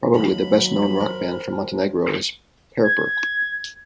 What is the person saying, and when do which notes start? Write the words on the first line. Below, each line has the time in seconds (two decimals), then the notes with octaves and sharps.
Probably the best known rock band from Montenegro is Perper.
0.14 D#2 F#3 B5
1.00 A#4 C5
2.83 G#6